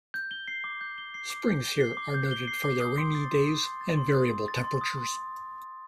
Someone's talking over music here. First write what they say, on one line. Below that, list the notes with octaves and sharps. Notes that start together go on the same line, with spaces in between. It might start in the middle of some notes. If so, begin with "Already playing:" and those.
Springs here are noted for their rainy days and variable temperatures.
G6
G7
C7
D6
G6
G7
C7
D6
G6
G7
C7
D6
G6
G7
C7
D6
D#6
C6
A6
C6
D#6
C6
A6
C6
D#6
C6
A6
C6
D#6
C6